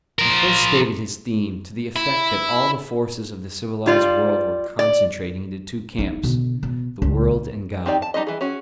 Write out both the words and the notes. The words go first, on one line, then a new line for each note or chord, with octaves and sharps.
He first stated his theme; to the effect that all the forces of the civilised world were concentrating into two camps--the world and God.
F3 A#4
E4
G3 F4 D5
D5
D#4 E4
B2 D3
B2
C#2
C4 D#4 G4 D5 G5
A5
G3 D#4 E4 D#5
E3 G#4
C#4 F#4 G#4